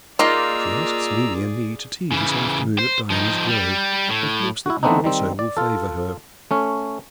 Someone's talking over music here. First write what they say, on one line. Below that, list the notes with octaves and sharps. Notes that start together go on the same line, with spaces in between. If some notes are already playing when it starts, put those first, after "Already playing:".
"She asks Mimi and me to tea this afternoon at Diana's Grove, and hopes that you also will favour her."
A#3 D#4 F4 G#4 D5 A#5 E6
C#3 E3
C5
F3 D#4
G3
A2
E4 F#4
E3 A3 B3 C4 D4 D#4
D#3 G3 C4
D5
F4 A4
A3 C#4